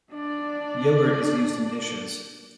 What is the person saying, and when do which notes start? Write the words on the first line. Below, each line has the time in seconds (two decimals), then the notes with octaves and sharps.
Yoghurt is used in dishes.
0.11 D4 D5